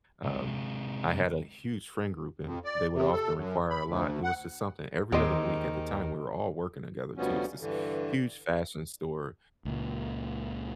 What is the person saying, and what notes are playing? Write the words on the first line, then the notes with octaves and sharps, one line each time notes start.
Um, I had a huge friend group, and they would often require a lot. It was just something every other week at the time, we were all working together too. It's this huge fashion store
C3 G#3
F2
D5
C3
A4
F#2
B5
D2
F#5
D#2 D#3 G#3 B3 C4 G4 D#5
D2 B2 F3 G3 B3 C#4
G2 D3 E3
C#2 A#2